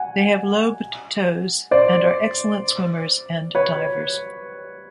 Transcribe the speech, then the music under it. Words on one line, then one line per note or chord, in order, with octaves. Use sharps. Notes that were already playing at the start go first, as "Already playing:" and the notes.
They have lobed toes and are excellent swimmers and divers.
Already playing: F#5 G#5
C5 D5
B4 C#5